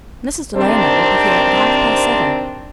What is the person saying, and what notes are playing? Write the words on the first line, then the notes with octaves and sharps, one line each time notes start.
Mrs. Delano will be here at half past seven.
C3 D#3 C4 D4